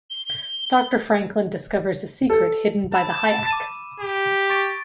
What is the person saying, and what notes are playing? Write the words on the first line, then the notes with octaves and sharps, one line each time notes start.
Doctor Franklin discovers a secret hidden by the Hyach.
G7
A4
A5 B5 E6 E7
D6 D#7
G4
C#6 A6 D7